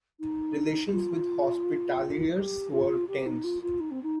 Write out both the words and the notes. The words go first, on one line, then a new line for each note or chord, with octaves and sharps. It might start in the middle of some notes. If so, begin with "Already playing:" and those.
Relations with the Hospitaliers were tense.
D#4
F4
G4
F4
G4
D#4
F4
F4
D#4
C4
D#4